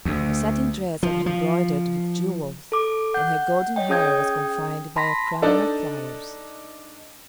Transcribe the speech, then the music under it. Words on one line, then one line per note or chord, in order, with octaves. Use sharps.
Her satin dress was embroidered with jewels, and her golden hair was confined by a crown of flowers.
D2
F3
F3
A4 D6
F#5 G6
C#5 D#5 G5
C#4 G#4 G5 D#6 G6 G#6
A5 B5 C6 A#6 B6
D4 D#4 A4